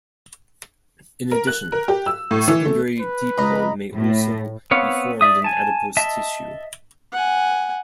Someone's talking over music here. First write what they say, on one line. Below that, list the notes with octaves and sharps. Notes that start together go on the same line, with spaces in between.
In addition, a secondary depot may also be formed in adipose tissue.
A#4
F#6
A#4
G4
E6
A2
E3
A3
B4
C#2 D#5 A#5 B5
A2
B3 C4 C#5 F5
D5 E5 D#6
G#5 A5
D#5 E5 A5
F#5 G#5